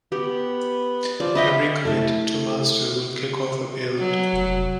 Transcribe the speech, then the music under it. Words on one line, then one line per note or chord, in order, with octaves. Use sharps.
Every commit to master will kick off a build.
B3 G4
F3 D5
B4 D#5 E5 G5
A3 E4 A4
F#3
F1